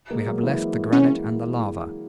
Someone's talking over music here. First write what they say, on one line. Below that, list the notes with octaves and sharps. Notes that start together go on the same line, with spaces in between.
We have left the granite and the lava.
G#3 A#3
F#3 G#3
E3 F#3
C#4